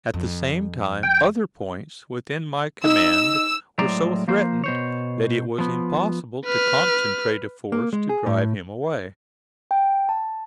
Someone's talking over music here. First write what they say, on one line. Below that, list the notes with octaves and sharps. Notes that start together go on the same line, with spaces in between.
At the same time other points within my command were so threatened that it was impossible to concentrate a force to drive him away.
F2
G5
D#4 E6
A2 F#3 G#3 C5 D5 A#5
F3 A#3 C5
B2 C5 C#5
F3 B3
B4 F6
A#3
G#3
G#4
A2
G5
A5